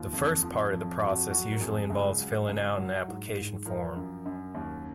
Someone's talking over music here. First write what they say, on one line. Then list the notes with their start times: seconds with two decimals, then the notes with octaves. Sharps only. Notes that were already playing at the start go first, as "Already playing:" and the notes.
The first part of the process usually involves filling out an application form.
Already playing: D#2 F4
0.13 F2
0.43 F3
0.72 F2
1.01 F2 F#4
1.31 F#3 F#4
1.52 A#4
1.60 F2 G#4
1.90 C#2
2.19 F#3
2.49 C#2
2.78 F#3
3.08 G#2
3.37 G#2
3.66 F3 A#4
3.96 F#2
4.26 F#2
4.54 D#2